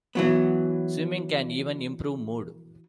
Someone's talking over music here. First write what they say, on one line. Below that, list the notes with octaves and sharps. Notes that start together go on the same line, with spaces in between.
Swimming can even improve mood.
E3 F#3 B3